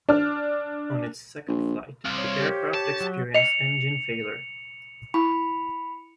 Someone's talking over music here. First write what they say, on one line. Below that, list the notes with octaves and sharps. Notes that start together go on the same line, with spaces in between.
On its second flight, the aircraft experienced engine failure.
D4 F6
A#1
C2 C5 F5
C#5
G4
A5
F#3
D#5 C#7 F7
E4 B5